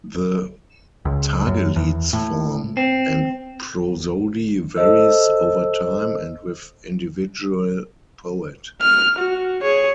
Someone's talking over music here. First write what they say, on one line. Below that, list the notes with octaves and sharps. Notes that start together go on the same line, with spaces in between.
The tagelied's form and prosody varies over time and with individual poet.
C#2
F#2
E2
A2
C4
A4 C5 D#5 E6
F6
F#4
G#4 C#5